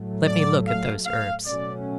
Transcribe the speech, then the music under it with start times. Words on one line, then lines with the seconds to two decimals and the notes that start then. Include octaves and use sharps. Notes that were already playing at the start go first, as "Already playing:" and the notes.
Let me look at those herbs.
Already playing: A2 F#3 A3
0.26 D5
0.66 F5
1.05 F5
1.45 B2 F#3 A3 C#4 D5